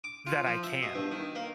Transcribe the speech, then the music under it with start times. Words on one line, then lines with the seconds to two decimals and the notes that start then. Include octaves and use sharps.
that I can."
0.04 D6
0.27 F4
0.47 F3
0.63 E5
0.82 B2
0.95 G2
1.11 D#3
1.35 A#3